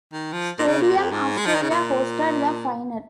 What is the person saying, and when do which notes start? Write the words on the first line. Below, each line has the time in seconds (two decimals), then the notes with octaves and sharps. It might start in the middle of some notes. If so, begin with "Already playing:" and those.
Stadium Australia hosted the Final.
0.13 D#3
0.33 F3
0.59 A#2
0.68 C#3
0.82 A#2
0.97 F2
1.11 G#2
1.38 G#3
1.46 F3
1.54 D#3
1.62 C#3
1.70 A#2